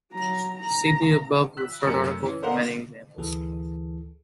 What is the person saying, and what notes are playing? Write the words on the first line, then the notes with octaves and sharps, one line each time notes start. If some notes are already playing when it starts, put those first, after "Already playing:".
See the above referred article for many examples.
F#3 A#5
A#5
E6 F#6 B6
F#2 C3 A3 G4 A#4 C#7
E3 C#4
D4 A#4 C5 D#5 F5 F#5
D2 E3 G#4 A4